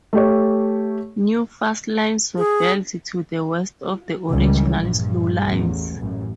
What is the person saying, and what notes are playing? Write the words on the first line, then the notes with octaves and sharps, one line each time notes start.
New fast lines were built to the west of the original slow lines.
A3 G4 C#5
G#4
C#2 D#3 E3 G3
A#1 G2
A1 E2
A1 F#2